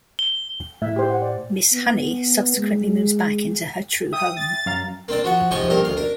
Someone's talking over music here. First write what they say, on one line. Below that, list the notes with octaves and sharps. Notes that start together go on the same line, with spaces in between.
Miss Honey subsequently moves back into her true home.
G7
A2 E5
G4 C5
F#5
D5
B3
G#3
E5 G5 D#6
A6
F#2 F5 A#5
A#3 C4 D4 D5
F3 F#4 F#5
G#2 C3 F3 G4 G#5 C#6
A#1 G2 G4 A#4
D2 F5
D4 A#4